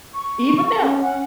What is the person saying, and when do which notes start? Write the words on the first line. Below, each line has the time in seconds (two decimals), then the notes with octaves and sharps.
even them.
0.14 C#6
0.80 C#4
1.01 F#5